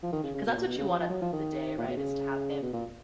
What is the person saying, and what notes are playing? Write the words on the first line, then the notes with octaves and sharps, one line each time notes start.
'Cause that's what you want at the day, right? Is to have him
F3
D#3
C#3
C#3
B2
A#2
B2
C#3
F3
F3
F#3
F3
D#3
A#2
B2
C#3
B2
A#2